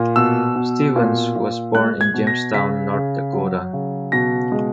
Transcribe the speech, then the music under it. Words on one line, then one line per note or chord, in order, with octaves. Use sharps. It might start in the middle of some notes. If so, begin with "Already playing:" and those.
Stevens was born in Jamestown, North Dakota.
Already playing: A#2
B2 E6
B2
A#2
A#2
G#3 F#6
G#6
B2
A#6
C#3 B6
C#3
F#3
C#3
B2 A#6
G#3